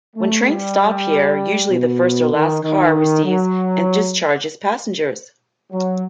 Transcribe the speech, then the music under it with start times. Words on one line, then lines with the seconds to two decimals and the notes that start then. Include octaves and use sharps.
When trains stop here, usually the first or last car receives and discharges passengers.
0.16 A3
0.47 G3
1.70 B2
2.32 D#3
2.62 D#3
3.25 F#3
5.72 F#3